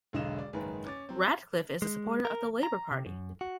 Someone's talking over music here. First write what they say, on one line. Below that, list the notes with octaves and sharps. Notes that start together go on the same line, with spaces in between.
Radcliffe is a supporter of the Labour Party.
E1 B1 D3 D#5 F5 E7
D5
F#1 G#2 D#3 G#4 B4
C#4 D6 A6
F#3 C4
G#3
A#4
A#5
C3
F#2
F#4